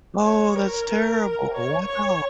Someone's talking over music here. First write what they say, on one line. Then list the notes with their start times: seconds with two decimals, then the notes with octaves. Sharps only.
Oh, that's terrible. Wow.
0.24 C#5
0.56 A#4
1.54 C#5
1.87 C#5